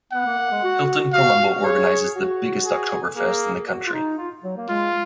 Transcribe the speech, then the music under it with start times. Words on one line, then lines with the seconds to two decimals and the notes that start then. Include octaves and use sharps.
Hilton Colombo organises the biggest Oktoberfest in the country.
0.12 B3 F#5
0.25 A#3
0.38 A#3
0.50 G#3
0.62 F#4
1.13 F#4 F5
1.39 F#4
1.64 G#4 C#5
2.15 F#4
2.65 G#4
3.16 A#3 G#4
3.67 F#4
3.86 F4
3.93 D#4
4.18 F4
4.43 F#3
4.56 A#3
4.69 G#3 F4